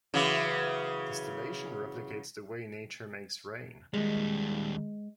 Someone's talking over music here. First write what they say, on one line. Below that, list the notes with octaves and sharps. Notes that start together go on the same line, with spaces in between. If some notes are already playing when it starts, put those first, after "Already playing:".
Distillation replicates the way nature makes rain.
C#3 E3 F#3
D#2 G3 G#3